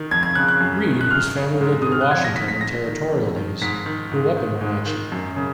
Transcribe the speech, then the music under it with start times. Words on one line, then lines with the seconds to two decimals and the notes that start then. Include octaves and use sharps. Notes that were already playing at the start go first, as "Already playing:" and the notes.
Reed, whose family lived in Washington in territorial days, grew up in Wenatchee.
Already playing: D#3
0.11 F2 G#6
0.23 G#6
0.35 C#3 F#6
0.48 F#6
0.61 F#2
0.87 D#3
1.01 F#6
1.11 F#2 F6
1.36 C#3
1.61 G#2
1.82 D#3 D#6
1.92 F6
2.01 F#6
2.11 F2 G#6
2.24 A#6
2.36 D#3 B6
2.48 B6
2.61 G#2 A#6
2.86 D#3
3.11 F2
3.36 D#3
3.61 G#2 B6
3.86 D#3
4.11 G#2
4.37 D#3
4.61 G#2
4.86 D#3
5.12 F#2
5.36 C#3